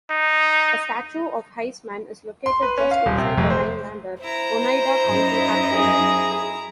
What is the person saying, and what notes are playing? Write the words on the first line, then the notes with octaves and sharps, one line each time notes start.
A statue of Heisman is located just inside the Rhinelander-Oneida County airport.
D#4
C6
B4
C#4
F5
D#1
C3
F1
C5
E4 C5 A#5
F#2 D#4 D#5
G#4